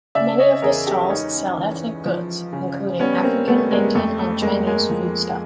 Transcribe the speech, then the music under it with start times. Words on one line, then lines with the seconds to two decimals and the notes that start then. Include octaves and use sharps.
Many of the stalls sell ethnic goods, including African, Indian and Chinese foodstuff.
0.15 C#3 D5 E5
0.39 C#5 D#5
0.62 E2 G#4 A#4
0.87 G4 A4
1.10 C#2 C#4 D#4
1.58 E3
2.05 F3
2.53 C#3
2.99 G3 B3 C#4
3.23 A#3 C4
3.48 G3 A3 B3
3.71 G#3 A#3
3.95 F2 A3
4.19 A3
4.42 F2 G#3 A#3
4.67 G#3 A#3
4.90 F3